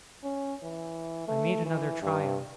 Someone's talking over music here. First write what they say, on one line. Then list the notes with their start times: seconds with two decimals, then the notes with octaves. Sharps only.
I made another trial.
0.23 C#4
0.63 E3
1.28 A3
1.65 E3
2.02 G2